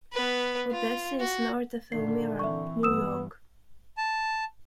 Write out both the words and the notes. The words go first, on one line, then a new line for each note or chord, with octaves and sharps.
Odessa is north of Elmira, New York.
B3 B4
F4
F#4
A#2 D3 D#3 C7
E3 C4 E5 C#6
G2 E3 B3 D#6 E6 E7
A5